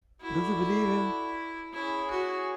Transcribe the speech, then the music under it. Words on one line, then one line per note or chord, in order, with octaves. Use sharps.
Do you believe him?
E4 F#4 A4 D5
C#4 E4 G#4 C#5
F#4